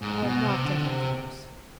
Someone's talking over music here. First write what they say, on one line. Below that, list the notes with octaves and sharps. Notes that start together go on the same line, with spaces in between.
"I have knocked at all doors."
G#2
B2
C3
D3
C3